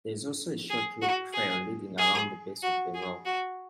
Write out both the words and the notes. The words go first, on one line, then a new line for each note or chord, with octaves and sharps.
There is also a short loop trail leading around the base of the rock.
G#4
F#4
G#4
G#4
F#4
G#4
F#4